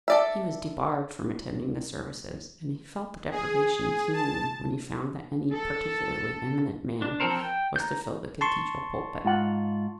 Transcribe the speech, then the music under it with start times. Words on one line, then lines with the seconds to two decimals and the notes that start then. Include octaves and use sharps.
He was debarred from attending the services, and he felt the deprivation keenly when he found that any particularly eminent man was to fill the cathedral pulpit.
0.08 A4 D5 E5
3.31 G#4
3.76 G#4
4.13 A5
5.52 A4
7.02 D4
7.20 F3 C4 A4 A#4 C5
7.41 G5
7.76 A#5 G6
8.41 A5 C6 C#6
9.25 G#2 F4 F#5